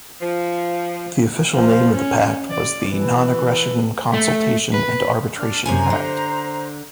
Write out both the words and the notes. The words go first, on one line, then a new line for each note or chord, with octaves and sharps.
The official name of the pact was the Non-Aggression, Consultation and Arbitration pact.
F3
F3
C#4
D5
E3
A3
B4
D4 F6
F#2 C3 C5 G#5 A#5
D3